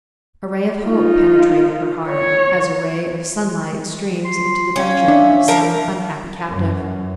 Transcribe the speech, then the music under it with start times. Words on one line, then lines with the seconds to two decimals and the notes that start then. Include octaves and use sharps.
A ray of hope penetrated her heart, as a ray of sunlight streams into the dungeon of some unhappy captive.
0.86 D#4 F4
2.09 C#5
4.25 F4 C6
4.76 C#4 F5
5.08 D4 E5
5.48 F3 A#4 A#5
6.48 F#2